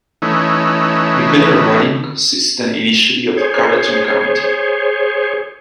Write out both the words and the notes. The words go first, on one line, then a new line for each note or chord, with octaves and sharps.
The federal riding consisted initially of Carleton County.
E3 A3 C#4 D#4
G#4 C5 C#5